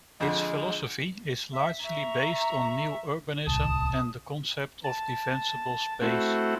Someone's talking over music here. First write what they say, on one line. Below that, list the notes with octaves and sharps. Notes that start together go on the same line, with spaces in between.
Its philosophy is largely based on New Urbanism and the concept of Defensible space.
F2 D3 G#3
E5
E5 A#5 C#6
D1 C2 A5 D#6
A5
A3 C4 E4 F#4